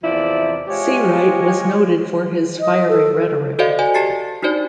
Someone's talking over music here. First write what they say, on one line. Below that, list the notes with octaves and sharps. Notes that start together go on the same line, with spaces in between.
Seawright was noted for his fiery rhetoric.
E2 C3 F3 E4 D5
G#3 F4 G4 C#5
D#5
A4
A4
F#4 A4 C5 D5 D#5 F5
C5 D5 G#5
G4 A5 A6 C7 C#7
D4 D#4 F#4 C5 D5